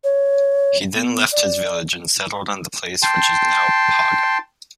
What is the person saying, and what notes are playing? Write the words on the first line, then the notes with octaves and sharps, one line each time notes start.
He then left his village and settled in the place which is now Paga.
C#5
B3
D5
G5 A5 C6